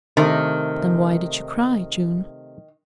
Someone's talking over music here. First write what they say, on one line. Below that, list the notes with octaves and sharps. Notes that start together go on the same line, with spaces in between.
"Then why did you cry, June?"
C3 D#3 A3